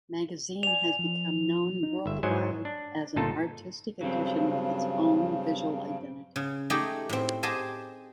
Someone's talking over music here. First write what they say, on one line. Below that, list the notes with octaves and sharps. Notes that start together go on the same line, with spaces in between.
Magazine has become known worldwide as an artistic edition with its own visual identity.
D5 G#5 F7
F3
D#4
G1 E5
G#2 F#3 C5 D#5 G#5
D4
G1 A#2 D#4 F4 A4 A5
G2 C#3 F#3 C4
C#3
A3 D#4 G4 G#4 D5
A2 C4
G4 G#4 C5 D#5 A5